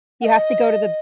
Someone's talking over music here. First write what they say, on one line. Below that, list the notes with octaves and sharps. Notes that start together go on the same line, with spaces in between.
You have to go to the
F#5
D#5